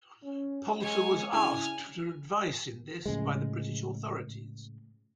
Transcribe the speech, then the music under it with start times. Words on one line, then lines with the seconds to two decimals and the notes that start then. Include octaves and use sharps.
Poulter was asked for advice in this by the British authorities.
0.24 C#4
0.80 G#3 C#5 G#5
1.32 C#3 D4 E4 G#4 G#5 F6
3.06 A2 C#3 F3 G#3